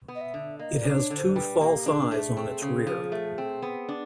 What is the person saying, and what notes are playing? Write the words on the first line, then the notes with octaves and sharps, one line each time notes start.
It has two "false eyes" on its rear.
B3
D#5
E5
D3
A#3 D#5
D5
D4
C#5
D3
C5
G3 B4
A#3 G4
D4 G#4
A3 G#4
C4
C#3
F3
A3
C4
B3
D4